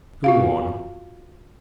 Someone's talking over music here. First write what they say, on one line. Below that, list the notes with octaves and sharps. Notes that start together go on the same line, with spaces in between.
Go on.
F4 F#4 F5